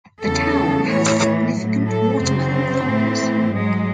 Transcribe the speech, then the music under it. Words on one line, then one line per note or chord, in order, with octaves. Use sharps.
The town has significant watermelon farms.
E2 C#3 F#3 A4
A2 E3 C#5
A2 F#3
A4
F#2 C#3 F#3 C4
A2 E3
G#2 F#3 G#3